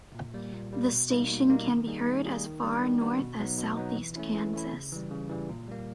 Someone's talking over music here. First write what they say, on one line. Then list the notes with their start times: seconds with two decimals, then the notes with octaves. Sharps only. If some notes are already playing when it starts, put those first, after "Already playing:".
The station can be heard as far north as southeast Kansas.
0.15 A#2
0.34 G3 A#3
0.53 A#2
0.72 G3 A#3
0.91 B2
1.10 G3 A#3 D#4
1.29 B2
1.49 G3 A#3 D#4
1.67 D#3
1.87 G3 A#3 D#4 G#4
2.05 D#3
2.25 G3 A#3 D#4 G#4
2.43 D#3
2.63 G3 B3 D4
2.82 D#3
3.01 G3 B3 D4
3.20 B2
3.39 F#3 B3 D#4
3.58 B2
3.77 F#3 B3 D#4
3.96 E3
4.16 A3 C#4 E4
4.35 E3
4.53 A3 C#4 E4
4.73 C#3
4.92 E3 G3
5.11 C#3
5.30 E3 G3
5.49 A#2
5.68 G3 A#3